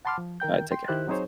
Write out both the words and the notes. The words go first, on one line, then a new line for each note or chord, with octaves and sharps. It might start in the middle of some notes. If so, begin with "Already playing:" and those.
All right, take care.
F#5 A5 B5 C6 D6 F6
F3
D#3 A#4 G5 G6
G5 C6
D#3 E4 G4 C5 F#6
F#3 C4 D#4 G#4 C5 C#5